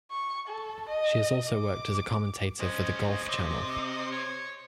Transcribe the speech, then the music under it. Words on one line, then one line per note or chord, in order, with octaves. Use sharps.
She has also worked as a commentator for the Golf Channel.
C#6
A4
D#5
D6
G#3 C#4 C5 D#5
C3
C#5